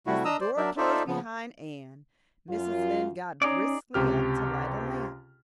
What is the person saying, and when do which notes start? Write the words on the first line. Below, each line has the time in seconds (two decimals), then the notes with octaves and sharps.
As the door closed behind Anne Mrs. Lynde got briskly up to light a lamp.
0.07 C3 G3 A3 E4 F#4
0.25 D4 D#5 A#5 D#6 E6
0.41 C5 D5
0.57 F#3 D4 A#4 D5 E5
0.77 D#4 F4 A4 C5 D5 E5
1.07 C#3 F3 B3
2.49 F#2 F4
3.42 C#4 D#4 G#4 D5
3.94 C#2 C3 G4 F6